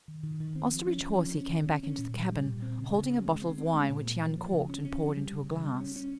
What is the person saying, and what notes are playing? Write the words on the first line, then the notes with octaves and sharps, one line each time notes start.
Osterbridge Hawsey came back into the cabin holding a bottle of wine which he uncorked and poured into a glass.
D#3
D#3
D#3
C4
F3
C#4
F3
C#4
C#4
D#3
C#4
C#4
A#2
G3
G3
A#2
C4
C#3
C#3
C#3
G#3
C4
C4
G#3
A#2
A#3
F3
F3
C#3
C#4
C#4
F3
G3
C#3
C#3
G3
C#4
C#4